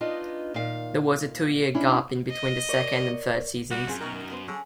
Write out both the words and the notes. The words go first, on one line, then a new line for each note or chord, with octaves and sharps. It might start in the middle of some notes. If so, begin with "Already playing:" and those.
There was a two-year gap in between the second and third seasons.
B3 D4 D#4 F4 D#5
A#2 D#3 F5
C#4 D4 E4
D#5
A#4 C#5 D5
G3 F#4
F#2 F3 C4 G#4
B2 D#3 A#4
B3 B4 C5
D3 C#4 G#4